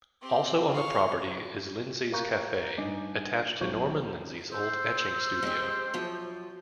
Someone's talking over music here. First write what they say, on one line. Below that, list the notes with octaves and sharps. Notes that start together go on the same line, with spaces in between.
Also on the property is Lindsay's Cafe, attached to Norman Lindsay's old etching studio.
C4 G4
F5 C#6
A#4 F5 A#5 C#6 F#6 G6
G2 D#4 D#5 G#5 D6
B1 F#3 C#4 C5 C#6 G6
C5 E6
G#3 G4
F#2 F3